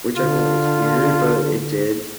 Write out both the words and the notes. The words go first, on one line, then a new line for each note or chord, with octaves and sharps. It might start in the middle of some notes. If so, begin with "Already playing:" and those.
which I thought was weird, but it did.
D3 F4